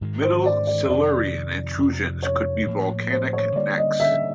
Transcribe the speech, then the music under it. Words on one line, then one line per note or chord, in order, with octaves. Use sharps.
Middle Silurian intrusions could be volcanic necks.
G#2 D#3 G#3
C5
D5
D5
F2 C3 D#3 D5
F2 C3 F3
C#5
A2 F3 A#3
C5
C#5
D3 G3 A#3 D5
D#5
E5